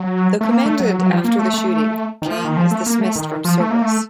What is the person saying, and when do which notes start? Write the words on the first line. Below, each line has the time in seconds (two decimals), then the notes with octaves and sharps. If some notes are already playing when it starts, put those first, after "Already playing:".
Though commended after the shooting, Kang is dismissed from service.
Already playing: F#3
0.41 A3
0.51 A#3
0.66 A3
0.80 F#3
0.99 F#3
1.10 F3
1.24 A#3
1.39 A3
1.54 A3
2.22 D#3
2.27 F3
2.45 D#3
2.57 F3
2.71 A3
2.86 A#3
3.01 A3
3.16 D#3
3.45 F3
3.60 A3
3.71 A#3
3.82 A3